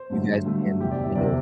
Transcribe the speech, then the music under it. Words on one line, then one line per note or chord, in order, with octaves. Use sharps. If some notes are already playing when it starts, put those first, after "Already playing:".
you guys can kind of,
Already playing: C5
G2 D3 F#3 A3
G2 D3 F#3 A3
E2 C3 E3 G4
D5
E5
E2 C3 E3 D5